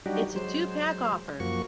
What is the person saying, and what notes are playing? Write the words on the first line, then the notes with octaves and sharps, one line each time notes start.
It's a two-pack offer.
F#3 G3 D4 D#4 F#4 G4
F#3 G#3 C5
F#2 F3 A#3 F#4 C#6